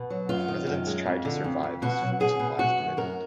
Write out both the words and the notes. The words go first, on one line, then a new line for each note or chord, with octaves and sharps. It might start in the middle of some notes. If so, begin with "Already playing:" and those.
Residents tried to survive as food supplies dwindled.
Already playing: B2
F#3
F#2 F4
D#3
F#2
G#3
F2
D3
F2
F2
B2 F#4
F#3
B2 G#4
B2
F#2 F#4
F#2
F#2 A#4